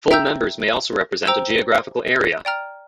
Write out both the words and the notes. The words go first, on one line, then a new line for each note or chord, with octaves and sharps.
Full Members may also represent a geographical area.
E5 G5 A#5 E6 G6
C5 G5 A#5 E6
D5 G5 A#5 F6